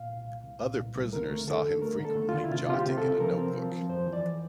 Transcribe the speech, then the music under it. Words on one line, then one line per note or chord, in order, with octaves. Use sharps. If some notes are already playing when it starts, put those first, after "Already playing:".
Other prisoners saw him frequently jotting in a notebook.
Already playing: A#2 F5
C2
C2
C2
A#2
C2
C2
D3 A#4
A3
D3 A4
D2
A3 A#4
D3
A4
A3
F4
D3
E4
C3 F4
C3 F4
G4
C3
A4
C3
F3 A#4
C4
F3
F3
F2 C5
E3
D5